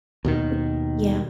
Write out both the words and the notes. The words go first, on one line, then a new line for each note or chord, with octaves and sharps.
M Yeah.
D#2 B2 D#3